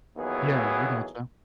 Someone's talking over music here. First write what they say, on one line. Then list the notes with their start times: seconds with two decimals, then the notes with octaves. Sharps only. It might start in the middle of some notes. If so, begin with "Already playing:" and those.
Yeah, I gotcha.
0.17 D#2 B2 E3 F#3 B3 G#4